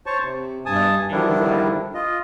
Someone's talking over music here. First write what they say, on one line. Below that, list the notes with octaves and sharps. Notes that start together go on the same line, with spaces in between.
but she was, like,
C5 C#5 A5 C#6
C3
G2 G#5 A5 D#6
D3 D#3 F3 G3 D4 E4
F4 D#5